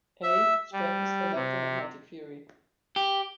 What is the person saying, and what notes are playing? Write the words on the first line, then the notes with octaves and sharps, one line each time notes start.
A. Stratton's "Electromagnetic Theory".
E5
G3
C3
G4